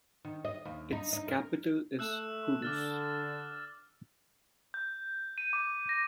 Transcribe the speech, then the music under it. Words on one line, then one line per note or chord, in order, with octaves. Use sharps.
Its capital is Kudus.
D#3
D#5
D#2
D#4
D#4
A#4
A3 E6 F#6 E7
D3 D6 F6 A6
G6
D#7
D6
A#6